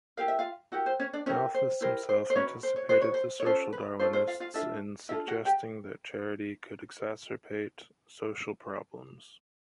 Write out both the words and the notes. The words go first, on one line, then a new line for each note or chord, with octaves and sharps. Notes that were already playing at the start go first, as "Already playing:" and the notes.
Malthus himself anticipated the social Darwinists in suggesting that charity could exacerbate social problems.
E4 G4 A#4 F5
E5
F4 F5
E4 F#4 G4 A#4 F#5
C5
C#4 C#5
D4 D5
C#4 E4 G4 A#4 C#5
C5
E4 G4 A#4 C5
C5
C5
C#4 D#4 F#4 B4 C#5
C5
C#5
D#4 F#4 B4 C5
C#5
C5
C#5
C#4 F4 A4 C5
B4
C#4 F4 A4 C5
C5
F4 F5
F4 F5
D4 E4 F4 A4 E5
D4 E4 F4 A4 E5
F#4 F#5
G4 G5